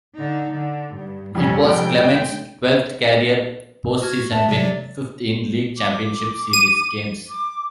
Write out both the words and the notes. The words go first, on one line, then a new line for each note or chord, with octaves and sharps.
It was Clemens' twelfth career postseason win, fifth in League Championship Series games.
D3 D#4
D3
G2
F2 C3 G3 C#4
G#3 G5
F#4 F6 G#6
G2 E5 A5
C3 F#3 D5
D6
D#7
D6